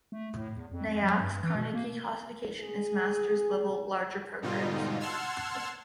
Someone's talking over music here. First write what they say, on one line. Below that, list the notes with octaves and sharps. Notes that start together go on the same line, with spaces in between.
Nyack's Carnegie Classification is Master's Level - Larger Programs.
A3
A2
E2
F2
F2
F#3
G2
E3
B2
A#3
G#4
G#2 B2 D3 G3 D#4 F4
F#5 A5 C6 E6 F6 G#6